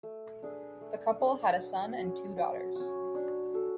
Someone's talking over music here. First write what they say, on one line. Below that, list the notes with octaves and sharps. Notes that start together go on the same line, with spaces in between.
The couple had a son and two daughters.
A3
D4 G#4 B4
A3
D4 G#4 B4
F#3
C#4 F#4
F#3
C#4 F#4
D4
F#4 A4